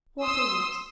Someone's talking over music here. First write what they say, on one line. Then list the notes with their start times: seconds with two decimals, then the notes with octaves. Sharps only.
"What is it?"
0.23 C6 D#6 E6